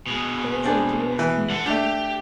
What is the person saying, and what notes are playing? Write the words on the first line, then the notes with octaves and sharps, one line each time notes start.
There is a Jewish community.
B2 G#3
C4 D4 G#4
E3
A4 F#5
A3 D4 G4